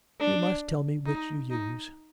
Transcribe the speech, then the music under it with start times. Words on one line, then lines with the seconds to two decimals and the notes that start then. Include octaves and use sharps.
'You must tell me which you use.'
0.20 D4
1.06 D#4
1.50 D#4